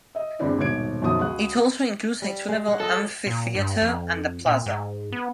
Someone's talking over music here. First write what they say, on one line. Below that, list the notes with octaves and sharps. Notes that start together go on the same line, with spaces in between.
It also includes a two-level amphitheater and a plaza.
D#5 E5
E2 G2 E3 C4 D4 E4
D#1 G#1 B2 C#5 G#6 D7
F#2 B2 D#3 F3 F#3 D#6
C#2 F#4 F#6
G3
G#3
G#3 F#5
F#3 F4 A4 D#5
A#2
G2
F2
A#2
G#2
B3